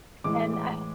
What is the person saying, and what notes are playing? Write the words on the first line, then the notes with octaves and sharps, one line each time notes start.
and I
A2 E3 G#3 D6
D6